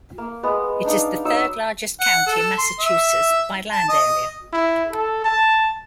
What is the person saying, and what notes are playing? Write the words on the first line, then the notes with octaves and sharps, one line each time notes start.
It is the third-largest county in Massachusetts by land area.
A#3
G#3 B3 D#5
D4 D#4 F5
F#3 D#4 E6
F#5
A4
C6
E5
A5
D#5
E4
A4
A5